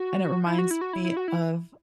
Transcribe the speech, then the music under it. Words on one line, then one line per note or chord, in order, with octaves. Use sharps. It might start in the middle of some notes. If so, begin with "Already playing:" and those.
and it reminds me of,
Already playing: F#4
E4
F#4
E4
F#4
E4
E4
F#4
E4